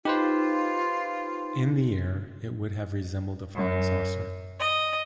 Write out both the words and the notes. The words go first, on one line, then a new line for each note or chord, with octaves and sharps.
In the air, it would have resembled a flying saucer.
D#4 F4 G4 B4 C5
F#2
D#5